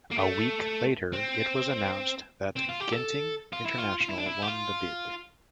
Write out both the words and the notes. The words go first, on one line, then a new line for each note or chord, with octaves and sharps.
A week later it was announced that Genting International won the bid.
A#3
A3
C4
C4
F4
G4
A4
F4
E4
F4
F4
E4
D4
E4
G4
F4